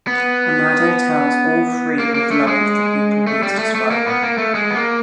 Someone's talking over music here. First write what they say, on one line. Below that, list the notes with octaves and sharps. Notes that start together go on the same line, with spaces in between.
Amado tells all three with love of the people he is describing.
B3
A#3
A#3
A3
G#3
A3
G3
A3
A3
A#3
B3
A#3
A3
G#3
B3
A#3